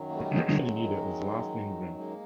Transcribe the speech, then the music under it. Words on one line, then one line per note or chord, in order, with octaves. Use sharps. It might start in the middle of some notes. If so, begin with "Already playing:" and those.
The union leader is Lars Lindgren.
Already playing: F#2 D#3 F#3
A#3
G3 A3
A3
G#3
G#3 A#3